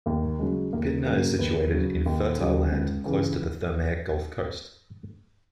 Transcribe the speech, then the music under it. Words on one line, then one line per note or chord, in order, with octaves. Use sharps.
Pydna is situated in fertile land close to the Thermaic Gulf coast.
D#2 A#3
C#3 F#3 G#3
D#2 A#3
C#3 F#3 A#3
D#2 B3
C#3 F#3
D#2
C#3 F#3
C#2
C#3 E3